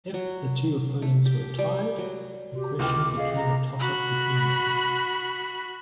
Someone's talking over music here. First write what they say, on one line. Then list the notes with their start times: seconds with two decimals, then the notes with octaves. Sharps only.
If the two opponents were tied, the question became a toss-up between them.
0.14 F#3
1.02 A3
1.26 G4
1.59 G3
1.98 F#3
2.56 F#4 G4
2.79 C#2 E4 A4 G5 D6 F6
3.17 G#4 D#5 F5
3.36 A#5
3.80 F#4 B5